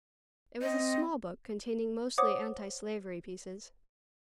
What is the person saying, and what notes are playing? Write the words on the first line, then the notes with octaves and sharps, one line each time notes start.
It was a small book, containing mostly Antislavery pieces.
C4 D#5
C5 C#5 F#5 D6 D#6